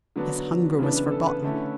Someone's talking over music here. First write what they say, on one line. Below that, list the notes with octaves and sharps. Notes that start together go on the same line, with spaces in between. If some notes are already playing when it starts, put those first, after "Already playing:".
His hunger was forgotten.
D3 F#3 B3 D4
C#3 E3 B3 D4
B4
A4
B4
D3 A3 C#4 E4